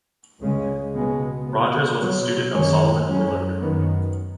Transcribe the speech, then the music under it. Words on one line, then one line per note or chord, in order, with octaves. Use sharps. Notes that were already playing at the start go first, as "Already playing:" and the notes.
Rogers was a student of Solomon Willard.
C#2 C#3 G#3 C#4
C#2 B2 G#3 B3
B2 B3
B2 F#3 B3
F#2 D#3 G#3 C#4
F#2 F#3 C#4
F#2 D#3 B3